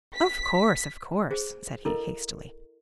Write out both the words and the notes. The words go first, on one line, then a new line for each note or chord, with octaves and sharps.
"Of course; of course!" said he hastily.
B6
G#4 C5
E4 A4 A#4 D#5 F5